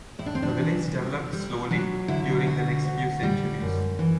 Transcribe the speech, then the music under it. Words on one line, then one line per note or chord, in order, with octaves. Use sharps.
The village developed slowly during the next few centuries.
A2 E4
D4
C4
D4
E3
G3
G3
F#3 D4
D3 E4
D2 F#4
D2
G3
F#2
E3